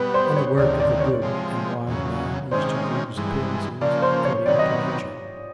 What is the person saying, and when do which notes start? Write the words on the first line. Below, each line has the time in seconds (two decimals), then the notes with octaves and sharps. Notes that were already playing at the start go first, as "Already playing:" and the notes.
And the work of the good and wise man is to use appearances according to Nature.
Already playing: B2 G3 B3 B4
0.14 C5
0.36 C#5
0.57 D2 C3 D#3 D5
0.80 D5
1.00 C#5
1.22 C3 F3 G#3
1.87 E2 C#3 F#3
2.51 C3 D#3 G#3 C#4 C5
3.17 G2 E3 G#3
3.81 C#3 F3 A#3 D5
4.02 C5
4.25 C#5
4.46 C3 D#3 F#3 B3 D5
4.59 D#5